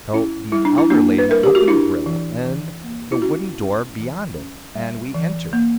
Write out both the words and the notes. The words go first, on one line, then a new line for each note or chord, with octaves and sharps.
So the elder lady opened the grille and the wooden door beyond it, and we entered.
C#4 E4
G3 E4
D4
E4
A#3 D4
B4
G3 A#4
G4
F#4
D4 E4
E3
E3
A#3
E4
C#4 F#4
C#4
E3
C#4
G3
E3
A#3